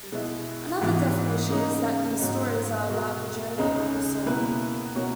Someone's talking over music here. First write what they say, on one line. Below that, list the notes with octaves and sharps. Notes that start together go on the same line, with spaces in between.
Another definition is that these stories are about the journey of the soul.
B2 G#3 B3 E4
G#2 E3 B3
C#3 G#3 D#4
G#2 F#3 B3 D#4
B2 G#3 B3 F#4 A#4
C#2 C#3 G#3 D#4
B2 A#3 E4 B4
B2 A#3 C#4 F#4